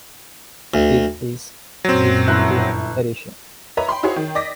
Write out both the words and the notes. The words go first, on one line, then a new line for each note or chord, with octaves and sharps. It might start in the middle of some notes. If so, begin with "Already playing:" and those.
It is his fifth edition.
D2
F#2 A#2 F#3 C4
G1 E4 F#6
B4 C#5 D#5 E5 A#5
G5 B5 C6
D#4 E4 F#4 G#4 C5 C#5
D#3
D5 D#5 D6 A#6 B6